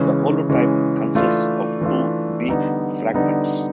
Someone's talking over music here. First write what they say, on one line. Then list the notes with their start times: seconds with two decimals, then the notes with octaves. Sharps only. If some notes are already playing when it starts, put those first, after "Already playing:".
The holotype consists of two beak fragments.
Already playing: C#3 E3 G#3 C#4
0.49 C#3 E3 G#3 C#4
1.15 E3 A3 D4 F4
1.81 E3 A3 D4 F4
2.49 D3 G3 B3 D#4
3.14 D3 G3 B3 D#4